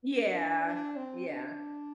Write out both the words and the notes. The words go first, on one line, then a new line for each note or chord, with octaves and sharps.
Yeah. Yeah.
D4
D4
C4
D4